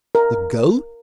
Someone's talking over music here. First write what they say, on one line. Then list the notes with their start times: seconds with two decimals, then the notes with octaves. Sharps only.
"The goat?"
0.15 A#4